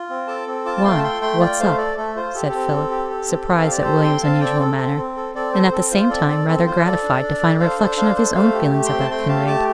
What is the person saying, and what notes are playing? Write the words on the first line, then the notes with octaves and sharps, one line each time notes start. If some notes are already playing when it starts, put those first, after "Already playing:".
'Why, what's up?' said Philip, surprised at William's unusual manner, and, at the same time, rather gratified to find a reflection of his own feelings about Kinraid.
Already playing: F4
C4
A4 A5 D6
C4
F4 A5 D6
A5
A3 G5 C6
A5
A4 G5 C6
A3 G5 C6
F4 D5 G5
A3 C5 F5
A4 D5
A3 A4
F4 C5
G4 A4
C4 A4
C4
G4
G4
C4
C4
F5
G4 D5
A4 C5
C4 G5 C6
C4 F5 A5
A4 D5 G5
A4
C4
C4
A4
C4 A4 D5
A4 C5
C5
C4 A4
F4 C5
C4 A4 D5
A4 D5
C4 A4
F4 C5
A4 D5
D4
D4
A4
A4 C5 F5
D4 C5
D4 C5 F5
A4 C5
A3 C5 F5
G4
A3
G5 C6
C4
A5
A3 G5 C6
G4 F5 A5
A3 A5 D6